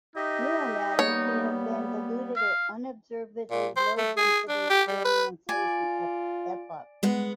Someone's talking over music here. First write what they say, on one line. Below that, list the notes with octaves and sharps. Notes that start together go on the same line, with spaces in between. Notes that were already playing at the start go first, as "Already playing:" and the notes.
Mirror matter could have been diluted to unobservably low densities during the inflation epoch.
D#4 G4 D#5 E5
G3 A#3 B3 C#5
F5
A#2
C5
A3
G#4
D4
G4
G3
B4
F4 D5 G#5
G#3 B3 F#5